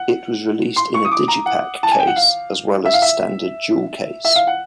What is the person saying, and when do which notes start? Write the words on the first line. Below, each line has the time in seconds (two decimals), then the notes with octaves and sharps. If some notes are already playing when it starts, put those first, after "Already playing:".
It was released in a digipak case as well as a standard jewel case.
Already playing: F#5
0.76 C6
0.94 C#6
1.05 D#6
1.12 D6
1.28 A#5
1.46 F#5
1.83 A5
1.92 G#5
1.99 G5
2.07 F#5
2.16 F5
2.85 E5
2.94 F5
3.02 E5
4.25 E5
4.36 F5
4.47 F#5